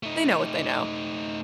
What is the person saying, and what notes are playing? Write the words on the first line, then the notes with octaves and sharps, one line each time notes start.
they know what they know,
A3 D#4